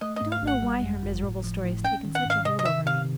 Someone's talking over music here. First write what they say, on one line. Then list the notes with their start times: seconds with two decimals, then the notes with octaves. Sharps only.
I don't know why her miserable story has taken such a hold over me.
0.01 A3 D#5
0.16 D#5
0.21 G#2
0.32 F5
0.42 G#1
0.47 F#5
0.62 G3
0.82 F#2
1.03 G1
1.23 A2
1.44 F3
1.65 A2
1.84 C#4 G5
2.05 D#3
2.15 F#5
2.25 G#2 F5
2.45 C3 D#5
2.59 D#5
2.65 D#3 E5
2.86 C3 F5